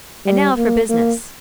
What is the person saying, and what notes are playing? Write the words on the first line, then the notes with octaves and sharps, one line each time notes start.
And now for business.
G3
A#3
A#3